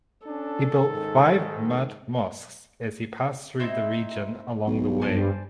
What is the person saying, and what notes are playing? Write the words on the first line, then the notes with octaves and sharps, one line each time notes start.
He built five mud mosques as he passed through the region along the way.
C#4 D4 A4
G#2 D#3
C4 D#4 E4
B1
G2 C5 G#5 A5